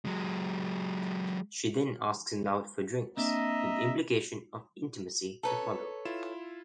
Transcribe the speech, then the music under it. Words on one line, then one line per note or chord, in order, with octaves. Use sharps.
She then asks him out for drinks, with the implication of intimacy to follow.
F#3 G#3
A#3 C4 D4 D#5 E5 A#5
A4 B4 C#5 A5 A#5
E4 F4 E7